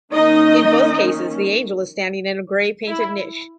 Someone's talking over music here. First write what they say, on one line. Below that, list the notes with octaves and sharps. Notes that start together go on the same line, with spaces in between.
In both cases the angel is standing in a grey painted niche.
D#3 A#3 C#4 D#4 D#5
E4